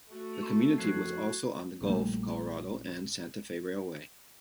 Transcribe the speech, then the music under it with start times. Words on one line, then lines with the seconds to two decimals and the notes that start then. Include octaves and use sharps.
The community was also on the Gulf, Colorado and Santa Fe Railway.
0.11 A3 F#4
0.78 F2 F#4 F#6 G#6 C7
1.82 A#1 A#2 G3 A3